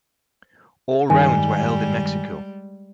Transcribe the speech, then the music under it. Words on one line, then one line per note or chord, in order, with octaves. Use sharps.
All rounds were held in Mexico.
G2 D#3 G3 G#3 G#5